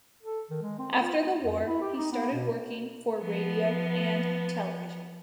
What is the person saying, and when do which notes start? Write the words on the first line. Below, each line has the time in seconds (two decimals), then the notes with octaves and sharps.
After the war, he started working for radio and television.
0.23 A4
0.50 D#3
0.62 G#3
0.79 C4
1.01 F4
1.15 D#4
1.41 F2
1.66 E4
1.81 G4
1.97 D#4
2.12 B3
2.33 B2
3.19 F3 B3